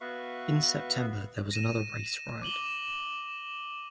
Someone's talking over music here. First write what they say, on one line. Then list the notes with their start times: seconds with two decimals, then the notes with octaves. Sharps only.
In September there was another race riot.
0.01 B3 F#4 B4 E5 F5 C#6
1.51 A#6 D#7 E7
2.42 D6 D#7 F#7 G7